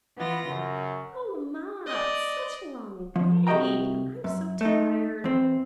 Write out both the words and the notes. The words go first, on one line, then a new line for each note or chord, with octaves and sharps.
'Oh! mamma, it's such a long way, and I am so tired.'
E3 B3 F4 A#6
F#2 C#3
D5 D#5
F3
C2 F#4 G4 D#5 G5 A#5
F#2
A3 D#4
E2 C4